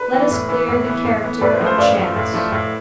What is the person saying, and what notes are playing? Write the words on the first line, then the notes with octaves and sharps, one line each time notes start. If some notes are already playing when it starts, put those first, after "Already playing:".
Let us clear the character of chance.
Already playing: B4
E3 B3
A2
E3 B3
A2
E3 B3
A2
E3 B3
A2 B4 D5
C5
F3 A3
C5
A2 D5 F5
F3 A3
A2
F3 A3
A2